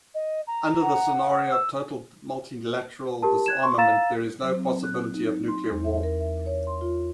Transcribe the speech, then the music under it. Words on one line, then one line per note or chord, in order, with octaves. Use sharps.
Under the scenario of total multilateral disarmament, there is no possibility of nuclear war.
D#5
A#5
F#5
E6
G4 A#4 A5
F#6 G#6 E7
C6 C#6
F5 A#5 E6 A6 E7
F#3
C4
F#6
D#4
C6
E2
E5
A#4
E5
C#5
C6
F4